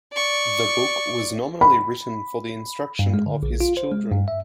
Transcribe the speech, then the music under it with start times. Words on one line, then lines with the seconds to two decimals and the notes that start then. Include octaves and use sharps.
The book was nominally written for the instruction of his children.
0.13 D5 C#6
1.61 B5
2.99 G2
3.14 G#3
3.26 D3
3.43 A#1
3.60 F4
3.77 C5
3.92 G#3
4.12 G2
4.28 E5